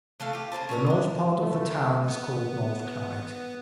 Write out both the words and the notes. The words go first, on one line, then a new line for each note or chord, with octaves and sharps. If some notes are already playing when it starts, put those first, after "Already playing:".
The north part of the town is called North Clyde.
E3 A3 A4 F5
F4 G4
C#3 A#3 C5 A5
C#4 C#5 A5 A#5
B3 D4
A3
B3